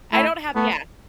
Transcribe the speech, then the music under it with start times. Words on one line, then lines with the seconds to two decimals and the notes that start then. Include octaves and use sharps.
I don't have yeah.
0.13 A3 E4
0.55 A3 B3